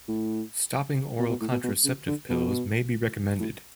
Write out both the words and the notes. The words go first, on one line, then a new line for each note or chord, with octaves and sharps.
Stopping oral contraceptive pills may be recommended.
A2
B2
B2
A2
B2
B2
C#3
D3
B2
A2